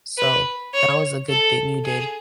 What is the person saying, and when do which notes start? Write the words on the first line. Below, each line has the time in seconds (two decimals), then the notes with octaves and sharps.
So that was a good thing you did.
0.18 B4
0.74 C#5
1.29 A4
1.85 G#4